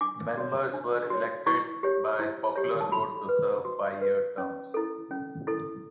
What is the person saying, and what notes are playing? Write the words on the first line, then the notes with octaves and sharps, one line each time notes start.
Members were elected by popular vote to serve five-year terms.
D4 D6
F#4 C#5
D4
F#4 C#5
E4 C#6
G4 C#5
E4
G4 C#5
A5
F#4 B5
B4
F#4
B4
C#4
E4 A4
C#4
E4 A4